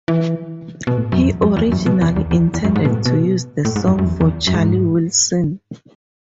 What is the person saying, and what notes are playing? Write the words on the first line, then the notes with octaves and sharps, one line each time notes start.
He originally intended to use the song for Charlie Wilson.
E3
B2
A2
F#2
E2
F#2
F#2
E2
F#2
B2
E2
E2
E2
E2
F#2
G#2
B2
A2
B2
A2
G#2
F#2
F#2
E2
E2
F#2
G#2